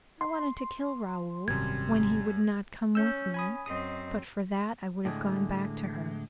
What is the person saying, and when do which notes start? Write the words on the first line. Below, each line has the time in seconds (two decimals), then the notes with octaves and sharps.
I wanted to kill Raoul when he would not come with me, but for that I would have gone back to her....
0.21 C6
1.48 G#1 F#2 C3 G3 G#6
2.95 C#4 E6 G6
3.34 G#5 B5 D#6
3.66 F#2 C4 D#5 D#6
5.05 A2 D3 G#3